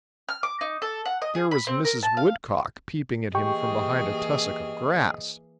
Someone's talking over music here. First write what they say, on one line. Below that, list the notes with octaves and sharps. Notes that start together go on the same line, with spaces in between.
There was Mrs. Woodcock peeping at him from behind a tussock of grass.
F6
D6
D#4
A4
F#5
D#5
G#4
B5
C4
A#4
A5
F5
E3 A#3 G4 G#4 D#5 G5 C#6